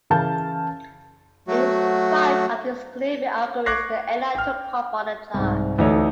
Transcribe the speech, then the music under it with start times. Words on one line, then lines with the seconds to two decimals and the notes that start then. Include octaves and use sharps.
In spite of these gloomy auguries the airline took off on the charge.
0.10 C#3 E3 A#4 F5 A5 G6
1.48 F#3 A3 F#4
3.66 C#6 D6 F#6 G#6 A#6 C7
4.35 G5 F6
5.34 C2 G#2
5.78 D2 E3 A3 D#4 C#5